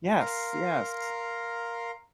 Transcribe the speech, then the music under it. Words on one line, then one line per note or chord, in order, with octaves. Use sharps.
Yes, yes.
A#4 F5 A#5 C6